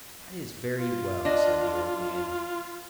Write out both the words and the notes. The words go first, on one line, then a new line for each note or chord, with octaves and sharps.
"That is very well," said the old man.
F4
D4 D#5